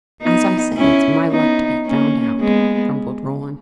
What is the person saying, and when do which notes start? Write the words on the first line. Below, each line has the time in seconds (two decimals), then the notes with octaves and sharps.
"As I say, it's my luck to be found out!" grumbled Roland.
0.22 B3 D#4
0.77 C#4 E4
1.31 B3 D#4
1.86 A#3 C#4
2.40 G#3 B3